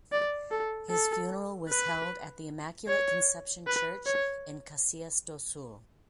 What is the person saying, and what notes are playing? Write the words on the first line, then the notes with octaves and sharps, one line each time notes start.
His funeral was held at the Immaculate Conception Church in Caxias do Sul.
D5
A4
A4
B4
C#5
B4
C#5